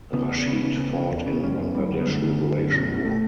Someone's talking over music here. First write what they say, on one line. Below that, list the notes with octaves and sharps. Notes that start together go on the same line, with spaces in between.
Rashid fought in Bangladesh Liberation war.
C#3 B3
E2
C#3
C#3
C#3
C#3
E2
C#3
F#2 C#4
F#2
F#2 G3
D3
B3
D3 A3
D3
D3
F#2
B2 C#4
B2
A3